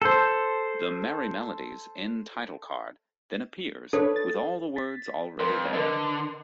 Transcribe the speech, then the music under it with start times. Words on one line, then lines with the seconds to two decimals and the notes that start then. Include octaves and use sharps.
The "Merrie Melodies" end title card then appears with all the words already there.
0.02 A4 C5
3.93 D4 A4 B4 C#5
4.16 A6
4.76 A6 B6
5.39 F2 A#4 B4 C6
5.73 D3 A#4 B4 D#5